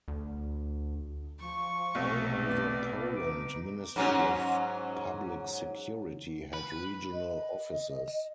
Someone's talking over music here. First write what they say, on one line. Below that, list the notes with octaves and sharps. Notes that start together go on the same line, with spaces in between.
All over Poland Ministry of Public Security had regional offices.
D2
F3 C#6
B1 C3 A3
B3 D5
D#4 D6
G#2 F#3 C#4
B4
D#5